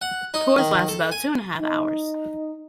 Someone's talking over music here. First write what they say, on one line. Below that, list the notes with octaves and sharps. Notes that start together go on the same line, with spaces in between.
Tours last about two and a half hours.
F#5
D#4
D#3
A4
G#5
D#4